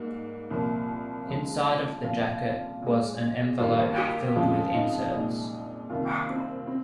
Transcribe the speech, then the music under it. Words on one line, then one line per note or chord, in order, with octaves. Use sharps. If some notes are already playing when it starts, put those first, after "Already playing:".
Inside of the jacket was an envelope filled with inserts.
Already playing: G#2 G3 A#3
C2 A#2 F3 A#3
C#2 C#3 F3 G#3
C2 A#2 F3 F4
A#2 G#3
G2 D#3 G3 A#3 F4
G4
F2 C#3 F3 G#3 F4
D#4
C2 A#2 G#3 D#4
C2 C3 D#3 A#3 F4
C4
C4